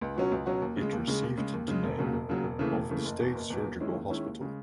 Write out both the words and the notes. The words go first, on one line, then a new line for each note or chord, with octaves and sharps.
It received the name of the State Surgical Hospital.
C#2
B2 F#3 C#4 F#4
C#2
B2 F#3 C#4 F#4
D#2
C#3 G#3
D#2
C#3 G#3
D#2
C#3 G#3
D#2
C#3 G#3
E1
D#2 C#3 F#3
E1
D#2 C#3 F#3
E1
D#2 C#3 E3 A3
E1
D#2 C#3 E3 A3
F#1
E2 B2
F#1
E2 B2
D#2
D#3 G#3 C#4 E4
D#2
D#3 G#3 C#4 E4
D#2
C#3 G#3